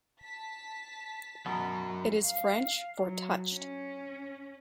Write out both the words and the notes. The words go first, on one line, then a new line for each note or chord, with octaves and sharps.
It is French for touched.
A5 B6
B2 F#3 A#4
F5
F#3
C#4